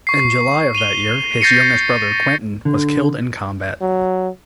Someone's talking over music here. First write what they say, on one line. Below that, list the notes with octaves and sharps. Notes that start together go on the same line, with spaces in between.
In July of that year, his youngest brother Quentin was killed in combat.
C#6 C7
D#7 F7 G7
G6 A6 A#6 C7 C#7 D#7
D3
F#3